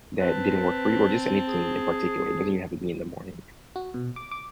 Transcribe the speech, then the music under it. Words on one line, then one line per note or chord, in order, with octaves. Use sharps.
that didn't work for you? Or just anything in particular, it doesn't even have to be in the morning.
C4 B4 A5
G#4
F#4
B2
D6
D6